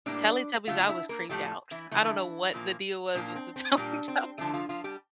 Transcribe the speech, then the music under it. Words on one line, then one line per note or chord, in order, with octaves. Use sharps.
Teletubbies, I was creeped out, I don't know what the deal was with the Teletubbies.
A2 G3 A#3 D4 D5
D3 A3 F4 F5
E4 E5
A#3 A#4
A2 F3 G3 A3 G4
E3 E4
D3 E3 F3 A3 E4
A#2 F3 A#3
A#2 F3 A#3 D4
C4
C4
A#2 G3 A#3 D4
C4
D3 F3 A3 D4
F3 F4
F3 F4
G3 G4